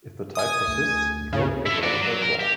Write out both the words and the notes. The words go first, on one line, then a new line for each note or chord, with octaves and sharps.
If the tie persists, it will be awarded by draw.
G#5 D#6
D2
G#2 C#3
E4 A4
F#4 D5
F#3
A#4
G4